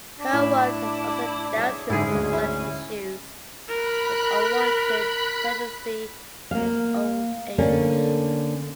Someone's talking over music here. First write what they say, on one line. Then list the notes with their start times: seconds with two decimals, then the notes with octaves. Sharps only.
Her work has also dealt with such issues as unwanted pregnancy and old age.
0.20 D4
0.33 A2 E4
1.56 G#4 C#5 E5
1.90 G#2 D3 C#4 E4 G#4
2.12 D2 G#3
2.33 E4
3.68 A#4 B5 F#6
6.51 A#3 F5
7.58 D3 A#3 C#4 D4